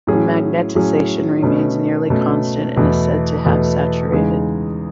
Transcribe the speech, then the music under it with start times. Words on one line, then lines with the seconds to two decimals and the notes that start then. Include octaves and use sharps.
The magnetisation remains nearly constant, and is said to have saturated.
0.07 A2 F#3 C#4 G#4
0.75 A2 F#3 C#4 G#4
1.42 B2 A3 C#4
2.10 B2 A3 C#4
2.77 E2 B2 A3 E4
3.45 E2 B2 A3 E4
4.12 E2 C#3 G#3 D#4 G#4